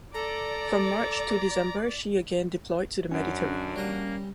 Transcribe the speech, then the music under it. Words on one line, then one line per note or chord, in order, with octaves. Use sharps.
From March to December, she again deployed to the Mediterranean.
A4 D5 A#5
F#2 C#4 D4 F#4
G3 A#3 A#5